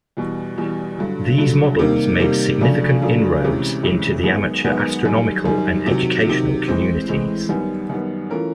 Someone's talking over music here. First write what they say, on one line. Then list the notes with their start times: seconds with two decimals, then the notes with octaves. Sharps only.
These models made significant inroads into the amateur astronomical and educational communities.
0.17 E2 B2 G3
0.58 E2 B2 G3
0.98 G2 D3 F#3
1.38 G2 D3 F#3
1.79 C3 D#3 G3 A#3
2.20 C3 D#3 G3 A#3
2.61 F2 C#3 F#3 A3 D4
3.02 F2 C#3 F#3 A3 D4
3.42 D2 C3 E3 G#3 C#4
3.83 D2 C3 E3 G#3 C#4
4.24 F#2 D#3 G#3 B3
4.64 F#2 D#3 G#3 B3
5.05 F#2 D#3 G3
5.45 F#2 D#3 G3
5.86 C3 D#3 F#3
6.27 C3 D#3 F#3
6.68 A2 E3 G#3 C4
7.08 A2 E3 G#3 C4
7.49 F#2 D#3 G3 B3
7.90 F#2 D#3 G3 B3
8.30 E3 A3 C#4 F4 A#4